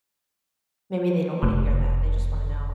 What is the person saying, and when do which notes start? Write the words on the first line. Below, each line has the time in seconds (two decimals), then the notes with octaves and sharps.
maybe they don't wanna hear that, they just wanna know,
1.43 F1